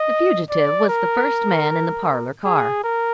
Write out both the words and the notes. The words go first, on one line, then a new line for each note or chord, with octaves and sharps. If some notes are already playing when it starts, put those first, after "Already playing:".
The fugitive was the first man in the parlor car.
Already playing: D#5
D5
A#4
G#4
A#4